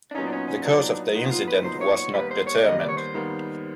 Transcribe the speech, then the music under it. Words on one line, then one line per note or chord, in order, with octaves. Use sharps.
The cause of the incident was not determined.
D4
A#2 F#3 B3 C#4 D#4
D4
C#4
C#4
A#2 F#3 B3 D4 D#4
A#2 F#3 B3 D#4
F4
B4
A#2 F#3 B3 D#4 C5
C#5
C#5
D#2 D#3 G3 B3 B4
C5
C#5
D5
D#2 D#3 G3 B3 D#5
D5
C#5
C5
D#2 D#3 G3 B3